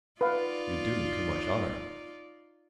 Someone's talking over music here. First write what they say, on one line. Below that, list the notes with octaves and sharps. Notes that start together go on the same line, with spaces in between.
"You do me too much honour."
D#4 F4 B4 D5 F5